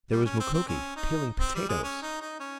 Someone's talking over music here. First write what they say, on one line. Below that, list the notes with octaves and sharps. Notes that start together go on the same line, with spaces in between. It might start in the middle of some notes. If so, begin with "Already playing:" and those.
There was Mukoki--peeling potatoes!
G3
C#4
C4
C4
C#4
D#4
C4
G3
G#3
C#4
D#4
D#4
C#4